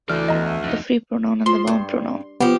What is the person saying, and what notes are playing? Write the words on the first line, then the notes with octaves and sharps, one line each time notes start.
The free pronoun and the bound pronoun.
D2 C#3 E3 D5 F6
E2 D#5 A#5
E5
F2 D#4
F3 C6
G2
F3 B3 G4